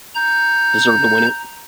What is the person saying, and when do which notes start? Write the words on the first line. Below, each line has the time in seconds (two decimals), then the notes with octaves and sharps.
deserve to win it.
0.15 A#5 G6